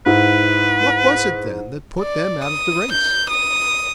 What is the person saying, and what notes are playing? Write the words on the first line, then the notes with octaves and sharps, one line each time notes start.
What was it then, that put them out of the race?
G#2 E4 B4
D5
D#6
G6
D#6